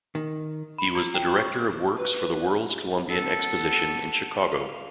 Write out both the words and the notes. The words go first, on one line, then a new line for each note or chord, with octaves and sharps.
He was the Director of Works for the World's Columbian Exposition in Chicago.
D#3
B5
F4
G5
C#6
B4
B3 A4
F5